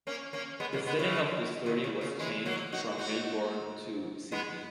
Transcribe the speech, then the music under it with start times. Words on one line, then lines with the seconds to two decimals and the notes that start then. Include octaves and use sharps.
The setting of the story was changed from Melbourne to Sydney.
0.07 A#3 C#4
0.33 A#3 C#4
0.60 G#3 B3
0.73 F#3 A#3
0.86 G#3 B3
0.99 C#3 E3
1.66 B2 D#3
1.84 C#3
2.01 C#3
2.20 E3 G#3
2.46 F#3 A#3
2.72 D#4 F#4
2.98 D#4 F#4
4.32 G#3 B3